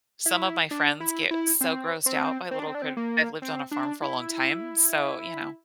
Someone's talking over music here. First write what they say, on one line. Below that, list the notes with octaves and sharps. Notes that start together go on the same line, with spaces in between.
some of my friends get so grossed out by little critt I've lived on a farm for a long time, so you know?
E4
D4
E4
E4
C4
C4
C4
D4
C4
D4
C4
A#3
C4
D4
E4